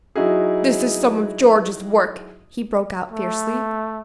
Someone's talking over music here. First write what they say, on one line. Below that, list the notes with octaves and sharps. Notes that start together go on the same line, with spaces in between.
"This is some of George's work," he broke out fiercely.
F#3 D#4 E4 F#4 G#4
A3